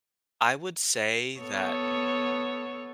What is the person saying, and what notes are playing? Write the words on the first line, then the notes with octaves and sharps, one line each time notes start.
I would say that
B3 A4 C#5